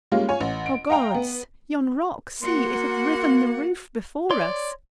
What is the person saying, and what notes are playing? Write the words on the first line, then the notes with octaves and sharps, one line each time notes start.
'O gods! yon rock--see, it hath riven the roof before us!
G3 G#3 A#3 C#4 F4
F4 C#5 G#5
A1
D7
D#5 F5 G5 A#5
B3
A#3 F#4 F#5 C6
C#5 D5 C6